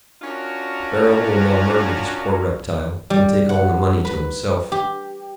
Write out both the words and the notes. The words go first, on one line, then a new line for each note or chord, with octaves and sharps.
"Beryl will now murder this poor reptile, and take all the money to himself."
C#4 D4 F4 F#4 A#4
G3
F#5
B4
G4